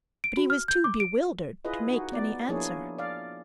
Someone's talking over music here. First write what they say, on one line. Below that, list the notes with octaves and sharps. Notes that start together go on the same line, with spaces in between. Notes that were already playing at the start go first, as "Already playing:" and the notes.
But he was too bewildered to make any answer.
D7
F#4
F6
G6
D6
D7
E4 F4 G#4 B4 D#5
D#4 F#4
B3 D5
F3 A#3 D4 E4 G#4 C#5
D5 F5